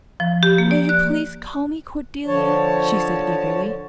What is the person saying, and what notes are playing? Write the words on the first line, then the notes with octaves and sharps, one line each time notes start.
"Will you please call me Cordelia?" she said eagerly.
F3
G4
A#3
D5
F#6
D3 F3 C#5 A5